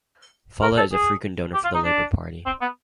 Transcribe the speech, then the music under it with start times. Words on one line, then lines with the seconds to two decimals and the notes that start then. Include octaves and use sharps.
Follett is a frequent donor for the Labour Party.
0.62 A#4
0.77 A4
0.92 G#4
1.54 G4
1.64 F4
1.74 D#4
1.84 D4
2.46 C4
2.61 B3